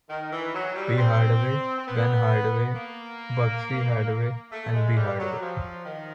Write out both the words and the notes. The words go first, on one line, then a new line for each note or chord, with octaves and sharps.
B. Hardaway, Ben Hardaway, Buggsy Hardaway and B. Hardaway.
D#3
E3
F#3
G3
C4
C4
B3
A#3
A3
G#3
G3
F#3
F3
D#3